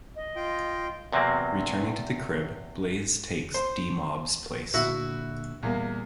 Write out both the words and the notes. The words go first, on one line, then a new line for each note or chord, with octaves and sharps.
Returning to the crib, Blaze takes D-Mob's place.
D#5
F4 G5
E2 C3 F#3 A#3 C4
C5
A#2 D3 E4 F#4 E5
E2 A#2 G3 A#3